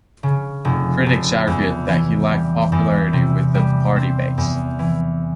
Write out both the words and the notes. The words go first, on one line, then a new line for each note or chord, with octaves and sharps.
Critics argued that he lacked popularity with the party base.
C#3
F1
F1
E2
E3
G3
E2
C3
G3
C4
E2
E3